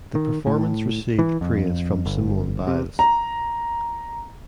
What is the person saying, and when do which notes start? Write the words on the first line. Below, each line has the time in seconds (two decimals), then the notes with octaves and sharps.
The performance received praise from Simone Biles.
0.15 D#3
0.47 A2
1.19 E3
1.41 F2
2.06 G1
2.67 C3
2.99 A#5